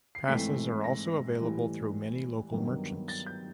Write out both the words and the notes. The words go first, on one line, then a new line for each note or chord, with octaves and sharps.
Passes are also available through many local merchants.
C7
G#2 E3 A3 C4 B6
A#6
A2 E3 G3
G2 D#3 F#3 B3
A6
G6